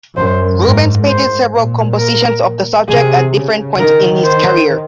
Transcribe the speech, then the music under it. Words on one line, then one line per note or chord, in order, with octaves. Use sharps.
Rubens painted several compositions of the subject at different points in his career.
F#2 C5
G#2 A#4
C5
A#2
A#4
C3 G#4
C#3
D#3 A#4
C5